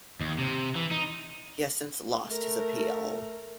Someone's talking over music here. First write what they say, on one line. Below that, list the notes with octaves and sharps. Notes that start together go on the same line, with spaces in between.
He has since lost his appeal.
D#2
C3
E3
D#4
A3 A#4